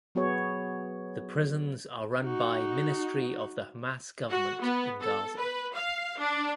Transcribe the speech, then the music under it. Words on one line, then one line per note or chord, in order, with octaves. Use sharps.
The prisons are run by Ministry of the Hamas government in Gaza.
F#3 B3 F#4 G#4 C#5
D#4 F#4
F#4
B3
A4
B4
F5
D4